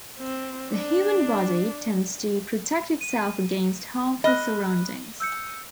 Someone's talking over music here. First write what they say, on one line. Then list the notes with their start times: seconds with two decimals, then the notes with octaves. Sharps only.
The human body tends to protect itself against harmful surroundings.
0.19 C4
0.71 D4
3.01 D#7
4.24 D#5 B5 F6 F#6
5.20 E6 G6 C#7